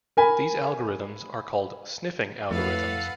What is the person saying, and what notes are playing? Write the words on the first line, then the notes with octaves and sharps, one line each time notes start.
These algorithms are called sniffing algorithms.
A#4 G#5 B5
F2 A2 A4 B4 F5 F#5